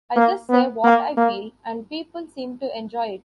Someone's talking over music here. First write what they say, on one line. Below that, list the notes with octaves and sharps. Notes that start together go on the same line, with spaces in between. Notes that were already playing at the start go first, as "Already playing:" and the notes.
I just say what I feel and people seem to enjoy it.
A#3
B3
A#3
A#3